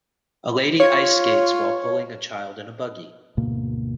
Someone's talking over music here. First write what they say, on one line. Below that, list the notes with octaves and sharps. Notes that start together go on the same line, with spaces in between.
A lady ice skates while pulling a child in a buggy.
F4 C#5
D2 G#2 B2 A#3